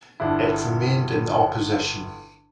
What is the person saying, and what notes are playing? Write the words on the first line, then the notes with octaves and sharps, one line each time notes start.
It remained in the opposition.
G1 D4 E4